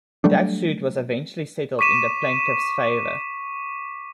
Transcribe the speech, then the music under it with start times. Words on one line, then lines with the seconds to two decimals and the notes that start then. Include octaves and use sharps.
That suit was eventually settled in the plaintiffs' favor.
0.24 F#3 G3 A3 D4
1.79 C#6 D6 B6 D#7 E7